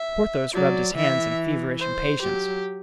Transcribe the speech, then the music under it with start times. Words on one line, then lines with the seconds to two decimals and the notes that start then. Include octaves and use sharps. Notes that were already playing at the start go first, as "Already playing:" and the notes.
Porthos rubbed his hands in feverish impatience.
Already playing: E5
0.53 F#3 D5
0.95 E3 E5
1.80 C5
2.22 F#3 G4